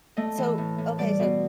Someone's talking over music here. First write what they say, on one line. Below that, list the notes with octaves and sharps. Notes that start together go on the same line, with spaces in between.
So, okay, so,
A3 D#5
E3
A2
A2
G3 D5
B2